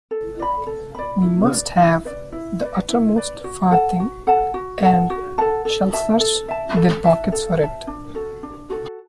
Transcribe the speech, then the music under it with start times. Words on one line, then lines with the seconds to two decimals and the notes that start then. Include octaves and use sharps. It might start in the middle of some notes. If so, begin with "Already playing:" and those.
We must have "the uttermost farthing", and "shall search their pockets for it".
0.11 A4
0.39 D5 B5
0.67 A4
0.95 D5 B5
1.22 E4
1.50 B4 D5
1.77 E4
2.05 B4 D5
2.32 E4
2.61 B4 D5
2.89 E4
3.16 B4 D5
3.44 F#4
3.71 A4 F#5 A5
4.00 F#4
4.27 A4 F#5 A5
4.54 F#4
4.83 A4 F#5 A5
5.10 F#4
5.38 A4 F#5 A5
5.65 A4
5.93 E5 A5
6.20 A4
6.48 E5 A5
6.76 A4
7.04 E5 A5
7.32 A4
7.59 E5 A5
7.87 D4
8.15 F#4 A4
8.43 D4
8.70 F#4 A4